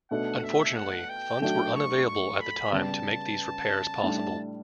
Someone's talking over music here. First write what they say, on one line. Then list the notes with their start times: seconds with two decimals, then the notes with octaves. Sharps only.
Unfortunately, funds were unavailable at the time to make these repairs possible.
0.11 B2 A3 D4 A4 F#5
0.43 E5
0.76 F#5
1.09 G5
1.41 F#3 A3 D4 F#4 G5
1.74 C#6
2.07 C#6
2.40 B5
2.72 C#3 G3 B3 A5
4.03 A2 G3 D4 A5